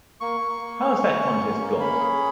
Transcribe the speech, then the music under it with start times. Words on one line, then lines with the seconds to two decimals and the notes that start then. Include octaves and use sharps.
How has that contest gone?
0.20 A#3 C#6
0.40 A#3
0.61 A#3
0.81 C#4
1.00 C#4
1.21 C#4
1.40 A#3
1.60 A#3
1.80 C#4 B5
2.00 G#4